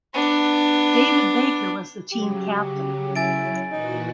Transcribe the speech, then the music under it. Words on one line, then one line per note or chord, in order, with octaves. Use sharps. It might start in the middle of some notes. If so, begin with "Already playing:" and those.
David Baker was the team captain.
B3 D4
C#3 F#3 G4
E4 G#5 A6 D7
A#2 E3 D#4 F#4